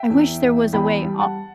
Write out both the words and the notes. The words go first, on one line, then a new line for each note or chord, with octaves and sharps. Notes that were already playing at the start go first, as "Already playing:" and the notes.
I wish there was a way al
Already playing: E5 G5
E2
E2
E2 G5 B5
G3
F#5 A5